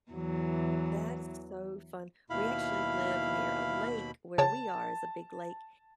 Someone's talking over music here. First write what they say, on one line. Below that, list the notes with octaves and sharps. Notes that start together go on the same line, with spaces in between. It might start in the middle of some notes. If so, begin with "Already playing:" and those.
That is so fun, we actually live near a lake where we are is a big lake,
E2 E3 F#3
D#2 B2 E4 F5 B5
C#3 C#5 G5 A5